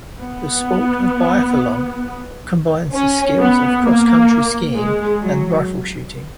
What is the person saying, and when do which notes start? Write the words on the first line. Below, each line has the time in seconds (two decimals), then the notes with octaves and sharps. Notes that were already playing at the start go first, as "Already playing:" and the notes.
The sport of biathlon combines the skills of cross-country skiing and rifle shooting.
0.21 B3
2.94 C#4
3.39 B3
3.85 A#3
4.76 G#3
5.21 F#3